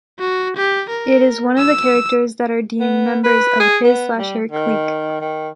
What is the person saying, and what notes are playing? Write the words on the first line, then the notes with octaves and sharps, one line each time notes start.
It is one of the characters that are deemed members of his/her clique.
F#4
G4
A#4
E6
B3
B4
G#4
B3
G3
D#3
D#3